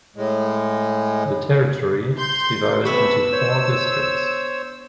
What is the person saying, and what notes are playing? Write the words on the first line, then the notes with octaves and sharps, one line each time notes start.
The territory is divided into four districts.
A2 G#3
C6 G6
C3 B3 D4 B5 C#6 E6
C5 C#5